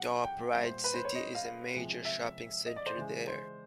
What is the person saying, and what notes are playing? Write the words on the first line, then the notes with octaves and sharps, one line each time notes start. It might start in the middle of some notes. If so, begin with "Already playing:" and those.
Top Ryde City is a major shopping centre there.
Already playing: B2 F#3 F#5
G5
A#2 G3 E5
C5
B4
C5
C#5
D#5
F5
F5
C3 F3 G#3
E5
D#5
D5
C5
C#3 E3 G#3
C5